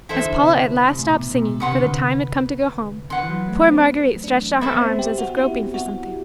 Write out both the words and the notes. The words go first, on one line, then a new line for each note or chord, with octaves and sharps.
As Paula at last stopped singing, for the time had come to go home, poor Marguerite stretched out her arms as if groping for something.
E3 E4 A4 C5 E5
D3
C3
D3
C3
A2
B2
B2
C3 B4 F#5 C6
D3
C3
D3 B4 F#5 C6
E3
F#3
A3
C4
D4
A4 C5 E5 B5
B3
C4
G4
F#4
E4
F#4